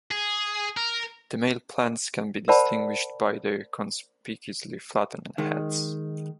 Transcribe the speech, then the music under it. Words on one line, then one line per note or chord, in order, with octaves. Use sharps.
The male plants can be distinguished by their conspicuously flattened heads.
G#4
A#4
A#4 C5 D5 F#5 A5 B5
D#3 G#3